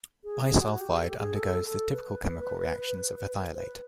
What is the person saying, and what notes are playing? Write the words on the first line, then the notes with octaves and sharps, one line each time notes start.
Bisulfide undergoes the typical chemical reactions of a thiolate.
G#4
G#4
F#4
G4
A4
G4
G#4
A4
A4
B4
C5
B4